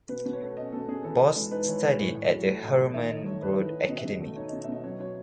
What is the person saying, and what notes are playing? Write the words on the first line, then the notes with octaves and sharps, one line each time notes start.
Bos studied at the Herman Brood Academie.
B2 B4
B2
C#5
A3
C#4 D#5
B2 A4
B2 G#4
E3 A4
E3
G#3
D#4 B4
E3 C#5
E3 C#5
A2
A2
F#3
A3
A2
A2
D#3 E5
D#3 D#5
A3 C#5
E4 B4
D#3
D#3
B2 D#5
E5
B2 D#5
A3
D#4 C#5
D#5
B2
E5
B2 D#5
F#3 C#5
F#3 C#5